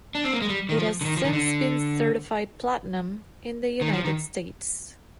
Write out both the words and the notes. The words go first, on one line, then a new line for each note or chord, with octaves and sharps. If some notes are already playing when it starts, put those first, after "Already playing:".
It has since been certified Platinum in the United States.
D4
C4
A#3
G#3
G3
D#3
F3
D3
D#3
F3
D#3
D3
D#3
F3
D#3